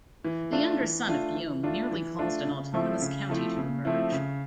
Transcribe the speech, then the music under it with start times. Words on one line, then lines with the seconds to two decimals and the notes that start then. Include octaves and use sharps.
The younger son of Guillaume nearly caused an autonomous county to emerge.
0.25 E3
0.52 A3 D4 F4
0.81 E3
1.08 A3 D4 F4
1.35 E3
1.63 A3 D4 F4
1.91 E3
2.18 A3 D4 F4
2.47 C#3
2.74 F3 A3 C4 E4
3.02 C#3
3.29 F3 A3 C4 E4
3.57 C#3
3.85 F3 A3 C4 E4
4.12 C#3